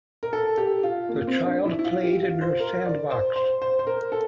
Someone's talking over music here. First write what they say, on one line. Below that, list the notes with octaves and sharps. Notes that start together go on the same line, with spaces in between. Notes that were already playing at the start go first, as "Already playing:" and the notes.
The child played in her sandbox.
A#4
A4
G4
F4
A#3
C4
D4
E4
E4
F4
G4
F4
C5
A#4
D5
C5
C5
C5
C5
A#4
A4